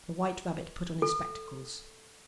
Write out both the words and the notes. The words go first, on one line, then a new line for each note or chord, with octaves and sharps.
The White Rabbit put on his spectacles.
A4